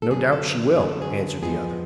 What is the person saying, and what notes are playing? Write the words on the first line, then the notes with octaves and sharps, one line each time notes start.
"No doubt she will," answered the other.
A4
F#2 D3 F#3 B3 G#4
A4
F#2 D3 F#3 B3 G#4
A4
G#4
F2 F3 G#3 B3 G#4